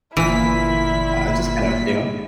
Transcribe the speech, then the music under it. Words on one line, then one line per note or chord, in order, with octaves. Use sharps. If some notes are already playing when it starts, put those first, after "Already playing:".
I just kind of, you know
G1 A#2 E3 E4 B6